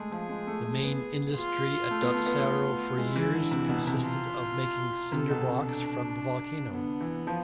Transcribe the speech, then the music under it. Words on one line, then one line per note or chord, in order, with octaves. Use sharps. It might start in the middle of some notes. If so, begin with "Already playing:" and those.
The main industry at Dotsero for years consisted of making cinderblocks from the volcano.
Already playing: G#3 A3 G#4
F3
G#3
A3
A3
B3
F4
A3
B3
A3
B3
A3
G#3 E4
E3
D3
C3
B2
C3
F4
C3 A4
B2
C3
D4
D3 B3
E3
F3